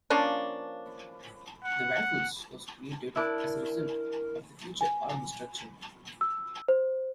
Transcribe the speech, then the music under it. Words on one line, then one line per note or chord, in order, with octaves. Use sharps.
The Rifles was created as a result of the Future Army Structure.
F3 A#3 C#4 D4
F#5
D4 E4 A#4
G#5
E6
C5